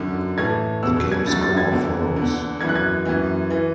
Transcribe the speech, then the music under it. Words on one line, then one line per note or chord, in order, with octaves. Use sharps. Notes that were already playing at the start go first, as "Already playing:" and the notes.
The game score follows.
Already playing: F#2 D3
A2 E3 G#6
E2 B2 E6
E6
G#6
F#2 D3 A6
A6
G#6
E2 D3
E2 D3
F#2 E3 G#6
F#6
G#6
F#2 E3
E3